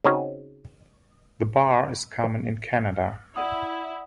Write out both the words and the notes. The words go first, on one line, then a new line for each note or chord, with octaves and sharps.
The bar is common in Canada.
C#3 C4 C#4 D#4 F#4 G#4
E4 D5 F#5 D#6